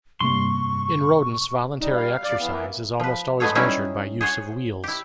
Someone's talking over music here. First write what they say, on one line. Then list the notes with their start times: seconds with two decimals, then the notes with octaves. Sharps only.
In rodents, voluntary exercise is almost always measured by use of wheels.
0.21 F1 G2 C3 G3 A#3 C6 C#6
1.80 G3 D#4
1.95 F5
2.24 E2 D5
2.39 E3 B3
2.52 A#3
3.00 F3 B4
3.40 G#3 A3 B3 G#4 A4 C#5
3.55 F#3 G3 C#4 D#4 E4 G#4
4.21 G#4 C5 C#5 F#5
4.84 E4 G4